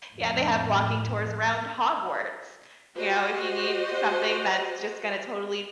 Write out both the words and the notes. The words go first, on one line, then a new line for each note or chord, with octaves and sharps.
Yeah, they have walking tours around Hogwarts. You know, if you need something that's just gonna totally
F2 A2
F#4 G4 C5 D#5